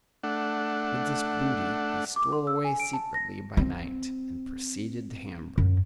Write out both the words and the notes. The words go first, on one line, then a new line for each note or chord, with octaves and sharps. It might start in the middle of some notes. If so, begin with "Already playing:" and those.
With this booty he stole away secretly by night, and proceeded to Hamburgh.
A3 D4 F#5
D6
C6
E6
G#5
D7
A5
A#6
C4
F#2